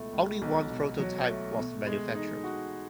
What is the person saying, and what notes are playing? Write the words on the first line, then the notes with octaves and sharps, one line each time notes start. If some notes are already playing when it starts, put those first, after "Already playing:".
Only one prototype was manufactured.
Already playing: C#2 B2 A3
C#2
B1
B2
F#3
A3
B2
G#3
D#4
F#4